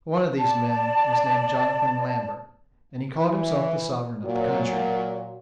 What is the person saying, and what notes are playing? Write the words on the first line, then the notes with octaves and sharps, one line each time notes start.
One of these men was named Jonathan Lambert, and he called himself the sovereign of the country.
D5 A5
E3
A#2 F#3